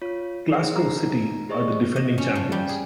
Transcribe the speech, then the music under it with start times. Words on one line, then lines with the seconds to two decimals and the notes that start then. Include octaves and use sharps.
Glasgow City are the defending champions.
0.02 F4 C#5
0.53 G#4 A#4 C5
0.76 D#4 A#5
1.49 G4 G#4 C5 D5 D#5 C#6
1.96 D#5
2.18 C#4
2.35 F3
2.52 G3
2.69 G#4